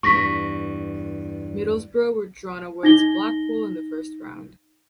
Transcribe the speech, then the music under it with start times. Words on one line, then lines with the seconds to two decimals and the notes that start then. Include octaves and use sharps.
Middlesbrough were drawn away to Blackpool in the first round.
0.03 E2 G2 C#6 A#6 B6
2.83 D#4 A#6 G7